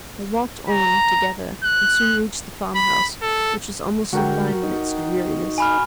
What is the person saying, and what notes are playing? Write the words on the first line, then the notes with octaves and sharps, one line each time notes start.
They walked on together and soon reached the farmhouse, which was almost sublime in its dreariness.
A#5
F#6
B5
A4
D3 G#3 F#4 A#4 G5
D#4
G#5 B5 F6